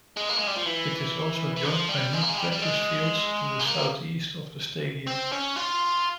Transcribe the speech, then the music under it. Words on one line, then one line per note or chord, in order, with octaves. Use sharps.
It is also joined by new practice fields to the southeast of the stadium.
G#3
A#3
G#3
G3
F3
E3
E3
F3
G3
G#3
A#3
G#3
G3
G3
G#3
A#3
C4
C#4
F4